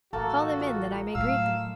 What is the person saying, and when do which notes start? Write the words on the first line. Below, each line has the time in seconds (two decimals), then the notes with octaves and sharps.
"Call them in, that I may greet them."
0.13 A1 A3 A#3 F#4 A4 A#4
0.59 F4 C#5 D#5
1.15 A2 F#3 F5 E6